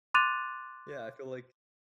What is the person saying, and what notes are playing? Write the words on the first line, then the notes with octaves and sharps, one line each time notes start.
Yeah, I feel, like,
C6 D6 F#6 A6 D#7 F7